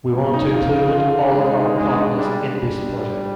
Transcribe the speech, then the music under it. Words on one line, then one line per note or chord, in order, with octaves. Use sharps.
We want to include all of our partners in this project.
G2
D#4
F2 F4
D3 F4
D4
G#3
D#4
G#3 D#4
D4
G3 D4
D4